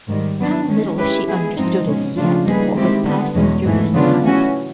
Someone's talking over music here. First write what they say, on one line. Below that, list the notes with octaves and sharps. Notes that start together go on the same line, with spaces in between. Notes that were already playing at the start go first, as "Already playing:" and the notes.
How little she understood as yet what was passing through his mind.
G#2 D#3 G3
F#3 B3 D4
D#3 G#3 C#4
G#3 C#4 E4 G4 B4
G#3 B3 E4 G#4
G#2 F3 G#3 C4 D#4
B2 G#3 C#4
C#3 F3 A3 D4 F4
G3 A#3 D#4 G#4 B4
D#3 G#3 C4 E4 G4
D3 G3 B3
E2 B2 G#3 C#4
G#2 E3 A3
C#3 F#3 B3 D4 F4
E3 A3 C#4 F#4